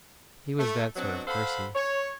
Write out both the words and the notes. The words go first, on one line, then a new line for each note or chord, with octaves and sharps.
He was that sort of person.
A3
B2 F#3 C4 D4 F#4
A4 C5 F5 F#5 B5
C#5